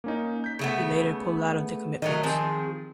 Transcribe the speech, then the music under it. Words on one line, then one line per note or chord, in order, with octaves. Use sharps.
He later pulled out of the commitment.
A#3 C#4 D#4
G6 B6
C#3 A3 B3
D#3 F#3 A3 D#5
F3 C4 G#4